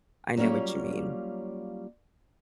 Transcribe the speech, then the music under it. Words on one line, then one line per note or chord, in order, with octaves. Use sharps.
I know what you mean.
F#3 G3 A#3 C#4 F4